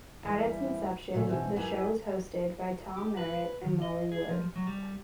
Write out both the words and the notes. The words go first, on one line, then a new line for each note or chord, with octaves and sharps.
At its inception, the show was hosted by Tom Merritt and Molly Wood.
E2 G3 E4
A#2 C#3 A3
B2 E3 C4
F#2 F#3 B3 E4 G4 G#5
G4
B4
D#3
D#5
G#4
F3
F#3
G3